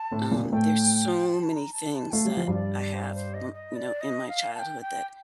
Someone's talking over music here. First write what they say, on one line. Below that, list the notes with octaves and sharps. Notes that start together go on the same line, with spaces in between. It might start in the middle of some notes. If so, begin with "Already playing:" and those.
um, there's so many things that I have r you know, in my childhood that
Already playing: A5
A2 A3
A#2 A#3
A#3
A2 A3 G5
A5
A#5
A5
A5
A3 F5
G3
F3
G2 G3
D5
C5
C5
D#5
D#5
D5
D#5
F5
A5
G5
G5